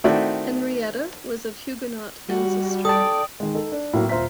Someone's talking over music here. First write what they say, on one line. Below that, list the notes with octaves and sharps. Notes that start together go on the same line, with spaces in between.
Henrietta was of Huguenot ancestry.
D#3 A3 C4 E4 F#4 D5
G3 F#4
A4 D5 G5 A5 D#6
D#3 G#3
D#4 A4
D4
A2 F#3 A#3 C4 F#4
D#1 F4 C5 E5 A#5 B6